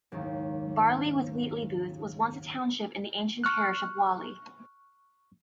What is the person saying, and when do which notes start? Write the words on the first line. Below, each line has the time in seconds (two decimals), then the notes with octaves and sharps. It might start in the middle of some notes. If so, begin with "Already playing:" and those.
Barley-with-Wheatley Booth was once a township in the ancient parish of Whalley.
0.12 F#1 D#2 G#2 D#3
3.44 C#6 F6 F#6